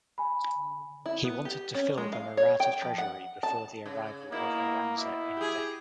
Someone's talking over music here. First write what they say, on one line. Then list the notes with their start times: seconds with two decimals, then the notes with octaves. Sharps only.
He wanted to fill the Maratha treasury before the arrival of Aurangzeb in Deccan.
0.18 G#5 B5
1.06 E4
1.24 B3
1.45 G4
1.74 C#4
1.98 G#3
2.13 F5
2.37 C#5
2.60 G5
2.82 F3
2.98 F#5
3.43 A5
3.86 C#3
4.32 B2 A#3 E4
4.97 B2 E4
5.37 G4 G#4